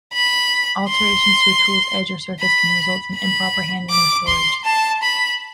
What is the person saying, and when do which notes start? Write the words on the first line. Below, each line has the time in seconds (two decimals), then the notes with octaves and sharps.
Alterations to a tool's edge or surface can result from improper handling or storage.
0.13 B5
0.89 C6
2.40 B5
3.14 B5
3.90 D6
4.27 C6
4.65 A5
5.03 B5